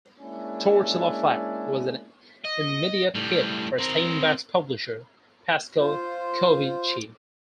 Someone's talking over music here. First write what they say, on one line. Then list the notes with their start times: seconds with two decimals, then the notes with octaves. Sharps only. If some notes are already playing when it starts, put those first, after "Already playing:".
"Tortilla Flat" was an immediate hit for Steinbeck's publisher, Pascal Covici.
0.20 G#3 A#3 C#4 D4 E4
2.45 D#5
3.15 A2 G3
3.79 C4 A#4
5.77 F4 C5